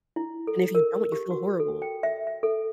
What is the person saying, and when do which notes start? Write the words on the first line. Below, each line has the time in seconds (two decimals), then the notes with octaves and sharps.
And if you don't, you feel horrible.
0.16 E4
0.47 A4
0.75 A#4
1.12 G4
1.31 F#4
1.60 A4
1.82 G5
2.03 E5
2.27 E5
2.43 A4